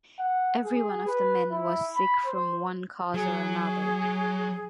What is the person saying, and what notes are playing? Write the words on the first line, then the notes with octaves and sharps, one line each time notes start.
Every one of the men was sick from one cause or another.
F#5
G#4
B4
E4
B5
C5
F#3 G#4